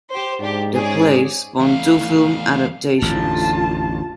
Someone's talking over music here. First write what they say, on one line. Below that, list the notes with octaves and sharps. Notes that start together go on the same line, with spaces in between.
The play spawned two film adaptations.
G4 C5
G#2 D4 G4
C#4 G#4 D5
E2 A3 F5
A1 F2 D3 F4 A5